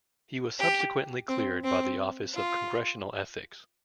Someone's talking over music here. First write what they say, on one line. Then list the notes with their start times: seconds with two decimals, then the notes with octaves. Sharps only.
He was subsequently cleared by the Office of Congressional Ethics.
0.59 G4
1.29 C4
1.64 C4
2.34 F4